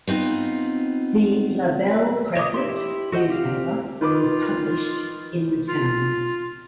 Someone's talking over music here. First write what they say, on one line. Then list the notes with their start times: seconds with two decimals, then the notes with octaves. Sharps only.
The "La Belle Cresset" newspaper was published in the town.
0.07 B3 C4 D#4 F4
2.37 C#5 D#5 D6 D#6
2.54 E4 G4 C6
3.12 F#4 A4 C5 D#5 F#5
3.28 C4 G4 F5
4.01 D#3 F4 B4 D6
5.68 F4